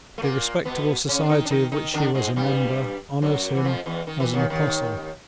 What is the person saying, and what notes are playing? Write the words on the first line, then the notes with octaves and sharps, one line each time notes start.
The respectable society of which he was a member honours him as an apostle.
A3
A#2 A#3
B2 B3
C#3 C#4
D4
D#3 D#4
D4
D#3 D#4
D#3 D#4
D3 D4
G#2 G#3
G2 G3
F#2 F#3
E3
F2 F3
E2 E3
D#3
E3
D#2 D#3
D#2 D#3